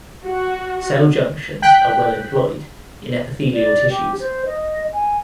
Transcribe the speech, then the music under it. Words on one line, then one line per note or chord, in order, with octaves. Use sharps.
Cell junctions are well-employed in epithelial tissues.
F#4
G5 F#6 B6
D5
G4
C5
D#5
G#5